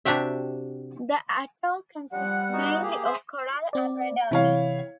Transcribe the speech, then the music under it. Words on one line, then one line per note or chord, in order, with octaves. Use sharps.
The atoll consists mainly of coral and red algae.
C3 D4 F#4 G4 E5
F3 G3 F#5
B3 D#4 F#4
A#3 G4 G#4
G#4 C5 E5
C4 D5
C3 E3 E4 C#5 F5